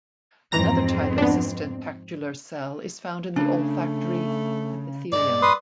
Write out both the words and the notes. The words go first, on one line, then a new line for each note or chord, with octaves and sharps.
Another type of sustentacular cell is found in the olfactory epithelium.
F2 G#2 E3 C4 A#5 A#6
B3 D4
C#3 A3 D4
G2 G#4 D5 D#5
B4 C6 D#6